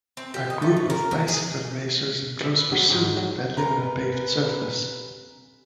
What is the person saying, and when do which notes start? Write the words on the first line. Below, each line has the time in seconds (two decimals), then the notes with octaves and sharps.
A group of bicycle racers in close pursuit, peddling on a paved surface.
0.17 C4
0.34 G4
0.50 D#5
0.62 A3
0.77 B2
0.90 A#4
1.11 C3
1.28 G#4
2.43 E5
2.58 B4
2.72 F#3
2.90 G#2
3.17 F#3
3.57 C4 G4 A#4 B4 G#5 A#5